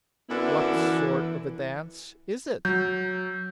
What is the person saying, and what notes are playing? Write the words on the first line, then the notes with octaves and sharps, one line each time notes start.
'What sort of a dance is it?'
F#2 D3 B3 E4
E3
F#3 G6